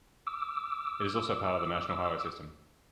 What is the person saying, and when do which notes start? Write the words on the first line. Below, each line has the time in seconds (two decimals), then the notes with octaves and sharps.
It is also part of the National Highway System.
0.27 D6 E6